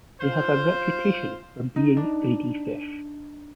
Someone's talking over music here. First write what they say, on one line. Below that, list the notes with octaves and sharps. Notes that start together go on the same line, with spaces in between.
They have a reputation for being greedy fish.
F4 C5
D#4
D4